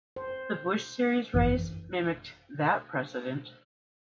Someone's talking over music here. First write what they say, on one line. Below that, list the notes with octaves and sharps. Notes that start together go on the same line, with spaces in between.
The Busch Series race mimicked that precedent.
C5
G#1 F#2 E3 D#7